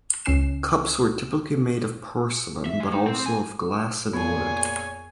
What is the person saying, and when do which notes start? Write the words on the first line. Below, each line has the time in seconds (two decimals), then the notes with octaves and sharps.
Cups were typically made of porcelain, but also of glass and wood.
0.25 C#2 C#4 C7 E7
2.66 E5
2.81 G#3
2.92 D#4
3.08 C4
3.26 G#5
4.14 F2 A#2 B3 G#4 C#5 G#5